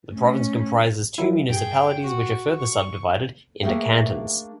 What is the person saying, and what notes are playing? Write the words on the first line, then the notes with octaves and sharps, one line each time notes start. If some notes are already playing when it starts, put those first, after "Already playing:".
The province comprises two municipalities which are further subdivided into cantons.
A3 C#4
D#3 F#3 E4
G2 G#4 G5
F#4
C#6
A3 A#3 D4 G#4 E5 G5